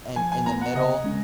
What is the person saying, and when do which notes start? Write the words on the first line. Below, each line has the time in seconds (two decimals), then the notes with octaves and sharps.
in in the middle,
0.16 F3 G#5
0.32 G#5
0.46 B3 A#5
0.61 F#5
0.75 C#3 D#5
1.04 G#3 C#4